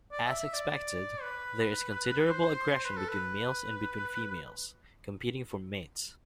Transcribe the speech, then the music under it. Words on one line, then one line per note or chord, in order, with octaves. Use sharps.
As expected, there is considerable aggression between males and between females, competing for mates.
D5
E5
E5
D5
B4
C5
B4
A4
B4